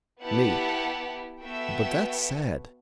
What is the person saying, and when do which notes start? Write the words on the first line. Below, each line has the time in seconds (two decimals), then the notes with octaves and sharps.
ME: But that's sad.
0.22 B3 E4 G4 F#5 A5
1.42 B3 F#4 A4 E5 G5